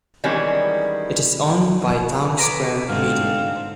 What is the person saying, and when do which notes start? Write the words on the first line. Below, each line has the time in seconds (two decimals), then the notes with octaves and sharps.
It is owned by Townsquare Media.
0.24 D#3 E3 G3 G#3 B3 C#4
2.37 C#4 A4 B4 A#5 D6
2.89 G#2 D3 C4 A4 F5